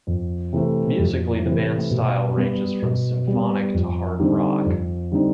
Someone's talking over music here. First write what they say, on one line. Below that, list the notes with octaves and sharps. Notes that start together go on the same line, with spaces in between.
Musically the band's style ranges from symphonic to hard rock.
F2
C3 E3 A3
F2
C3 E3 A3
B2
G3 B3
B2
G3 B3
F2
D3 G3 C4 D#4
F2
D3 G3 C4 D#4